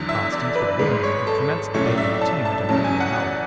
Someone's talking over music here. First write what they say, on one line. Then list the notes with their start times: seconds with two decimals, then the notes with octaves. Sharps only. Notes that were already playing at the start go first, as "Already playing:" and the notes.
Constance would willingly have commenced the daily routine at an earlier hour.
Already playing: E2 D3 F#3
0.09 E5
0.32 D5
0.56 B4
0.79 G#1 G#2 G#3 B4
1.03 C#5
1.27 A4
1.74 B1 A2 F#3 C#4 C#5
1.86 D5
1.98 E5
2.21 A5
2.45 A5
2.69 E2 C#3 F#3 C#4 A5
2.84 G#5
3.00 F#5
3.16 D5